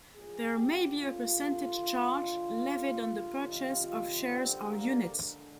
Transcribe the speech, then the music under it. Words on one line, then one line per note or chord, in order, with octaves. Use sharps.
There may be a percentage charge levied on the purchase of shares or units.
A#2 F3 G#3 G#4
G4
D3 G3 F4
D3 G#3
D3 G3
C3 D#3 G3
D3 G3 C4
A#3
D3 G#3